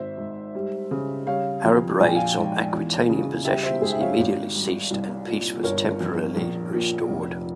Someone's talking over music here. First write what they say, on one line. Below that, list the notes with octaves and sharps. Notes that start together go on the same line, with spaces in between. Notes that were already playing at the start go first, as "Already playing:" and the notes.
Arab raids on Aquitanian possessions immediately ceased and peace was temporarily restored.
Already playing: G#1 C5 E5
G#2
G3
C#3
G3 C#5 F5
F2
A#1 G#5
G5
F5 G#5
G#2
E2
C#3
G3 E5 G5
C5 E5
G#2 G#4 C5
E5
C#5 F5
G#1
G2
C2
A#2
G1 A#4 C#5
F2
A#1
A#2
F1